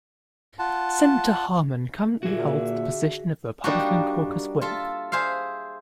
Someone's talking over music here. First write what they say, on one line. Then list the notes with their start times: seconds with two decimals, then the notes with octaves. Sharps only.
Senator Harman currently holds the position of Republican Caucus Whip.
0.59 F4 F#5 A5
2.23 A#2 D3 F#4 G#4 E5
3.64 G3 A#3 D4 D#4 F#4
4.61 F4 A4 E5
5.12 G#4 C5 E5 F5